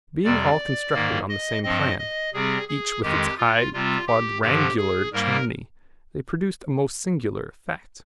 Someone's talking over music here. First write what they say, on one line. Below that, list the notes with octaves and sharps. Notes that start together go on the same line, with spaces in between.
Being all constructed on the same plan, each with its high quadrangular chimney, they produced a most singular effect.
F2 C3 G3 D5
G#2 D#3 A#3
D#5
G2 F3 C4 D#5
D#5
C3 G3 C4 G#4
G#4
F2 D#3 G#3 G4
F4
C3 G3 C4 F4
G4
G2 D3 F3 G4
G#4
G#2 G3 A#3 A#4